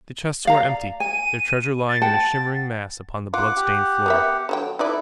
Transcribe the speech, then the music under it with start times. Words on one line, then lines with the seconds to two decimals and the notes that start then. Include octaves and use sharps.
The chests were empty, their treasure lying in a shimmering mass upon the bloodstained floor.
0.45 D5 F5 A#5
1.00 G#5 D#7
1.89 A6
2.02 F#5 G5 A5
3.34 F4 F#5 D6
3.56 G4 F#5
4.06 B3 A#4 E5
4.49 D3 F#3 G5
4.79 D#4 E4 A4 B4 D5 E5